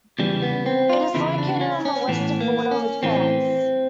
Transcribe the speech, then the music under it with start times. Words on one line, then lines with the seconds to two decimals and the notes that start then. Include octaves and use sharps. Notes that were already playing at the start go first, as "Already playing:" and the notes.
It is located on the western border with France.
0.19 E2 C#3 E3 G3
0.42 B3
0.66 C4
0.90 F4
1.14 E2 C#3 E3 E4
1.38 D4
1.61 C#4
1.85 C#4
2.08 A2 E3 B3
2.41 A#3
2.71 C#4
3.03 A2 E3 C4